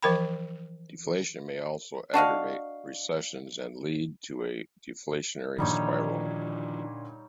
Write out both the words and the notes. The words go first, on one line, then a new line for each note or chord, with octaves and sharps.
Deflation may also aggravate recessions and lead to a deflationary spiral.
E3 F3 A#4 G5 B5
D4 F#4 D#5 F5
A#2 D3 D#3 F3 G3 D#4 C#5